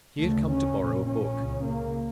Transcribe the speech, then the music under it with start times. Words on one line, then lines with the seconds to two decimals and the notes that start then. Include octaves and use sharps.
He had come to borrow a book.
0.19 D2 C#3 A3
0.48 C#4
0.77 A#1 A#2
1.06 C#4
1.36 C#2 C#3
1.65 A#3